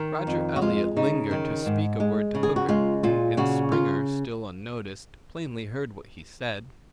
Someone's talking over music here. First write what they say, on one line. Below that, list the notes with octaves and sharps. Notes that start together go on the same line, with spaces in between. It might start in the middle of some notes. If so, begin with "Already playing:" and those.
Roger Eliot lingered to speak a word to Hooker, and Springer, still unnoticed, plainly heard what he said.
Already playing: D#3 A#4
F2
F#4
G#3 F4
C#3 D#4
D#3
G#2
G#3
C#3
G#4
F#4
G#3 F4
A#2 F4
C#3 F#4
F4